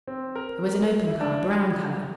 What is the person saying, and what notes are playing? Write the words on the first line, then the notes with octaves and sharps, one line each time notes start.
It was an open car, brown colour.
C4
A#4
E4
D4
G3